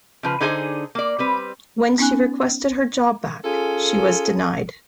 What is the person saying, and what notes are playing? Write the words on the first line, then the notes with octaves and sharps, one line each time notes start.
When she requested her job back, she was denied.
C#3 F3 B4
D3 D#4 G#4 C5 D#5 G#5
A#3 D5
G3 C4 B4
B3 C#4 D#4 G#5 F#6
C#4 F4 G#4 A4